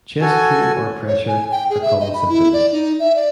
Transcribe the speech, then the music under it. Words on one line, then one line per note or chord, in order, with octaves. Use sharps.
Chest pain or pressure are common symptoms.
F#4 A4 G#5
C#5
G#5
G5
G#4
E5
D#5
B5
E4
D5
D#4
E5
D5